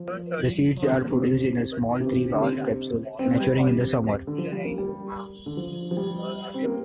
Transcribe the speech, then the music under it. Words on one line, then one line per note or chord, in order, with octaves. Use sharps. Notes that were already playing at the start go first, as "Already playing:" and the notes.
The seeds are produced in a small, three-valved capsule, maturing in summer.
Already playing: F3
D3
C3
A#2
C3
C3
D3
C3
C4
G3
C3
D3
F3
G3
A#3
G3
D3
F3
F3
G3
C4
A#3